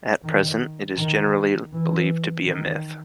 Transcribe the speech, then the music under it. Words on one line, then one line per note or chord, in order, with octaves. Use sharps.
At present, it is generally believed to be a myth.
D#3
D#3
E3
D#3